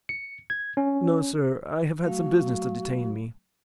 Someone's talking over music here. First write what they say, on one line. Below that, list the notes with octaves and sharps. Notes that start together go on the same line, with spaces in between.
"No, sir; I have had some business to detain me."
C#7
G#6
C#4
F#3 A3 F#4 F5